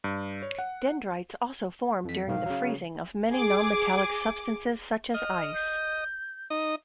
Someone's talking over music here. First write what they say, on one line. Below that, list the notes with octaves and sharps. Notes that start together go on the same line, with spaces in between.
Dendrites also form during the freezing of many nonmetallic substances such as ice.
G2
C#5
F#5
F2 B6
B1 G#2 D#3 F5
C#3 F#3
G#4 D6
D#5 F6
G6
D#4 D#5